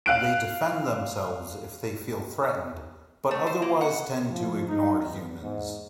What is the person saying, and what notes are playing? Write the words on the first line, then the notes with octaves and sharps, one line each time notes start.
They defend themselves if they feel threatened, but otherwise tend to ignore humans.
F5 F#6 D7
A3
C5
A#3
F#5
F3
D#4
E2
G#2